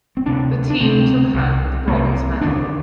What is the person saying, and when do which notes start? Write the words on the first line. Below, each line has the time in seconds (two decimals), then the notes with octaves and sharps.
The team took home the bronze medal.
0.17 C4
0.26 D2 C3 D4
0.70 D4
0.80 D2 C3 C4
1.34 C2 C3
1.87 C2 A#3
1.91 C3 A3
2.04 A#3
2.41 D#2 D3 D4